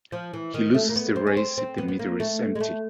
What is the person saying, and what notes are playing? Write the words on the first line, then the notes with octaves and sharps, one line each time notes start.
He loses the race if the meter is empty.
F3
E3
D#3
A3
A#3
B3
C4
C#4
C4
C4
B3
B3
A#3
A3
G#3
A3